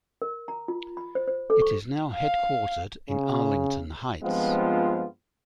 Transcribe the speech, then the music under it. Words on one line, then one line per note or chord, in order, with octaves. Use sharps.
It is now headquartered in Arlington Heights.
A#4
A#5
F4
B5
C5
C5
A4
C#6
F5
C#3
G2 F3 G#3 B3 C4 F4